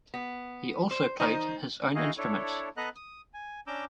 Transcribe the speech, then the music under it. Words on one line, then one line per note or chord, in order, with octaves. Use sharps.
He also played his own instruments.
B3
C5
D#3 D#4 C5 D#5 A#5
D#4 E4 F#4 G#4 D#5 F5
D4 E4 A4 C#5
B3 A4 B4 D#5 A#5 F#6
D#6
G#5
C#4 D4 A#5 D6 E6 G6